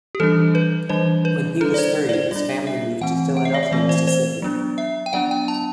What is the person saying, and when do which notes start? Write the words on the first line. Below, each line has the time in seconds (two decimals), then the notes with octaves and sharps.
When he was three, his family moved to Philadelphia, Mississippi.
0.15 G4
0.20 E3 G3 D4 A4
0.55 B4
0.89 E3 G3 D4 C5
1.25 B4
1.61 G3 D4 A4
1.74 D5
1.78 C5
2.09 D5
2.13 C5
2.31 G3 D4 D5
2.67 E5
3.01 E3 A3 C4 F#5
3.37 F#5
3.45 E5
3.54 D5
3.63 E5
3.72 E3 A3 C4 D5
3.89 C5
4.07 C5
4.42 F#3 B3 D4
4.78 E5
5.06 G5
5.13 F#3 B3 D4 F#5
5.31 G5
5.48 A5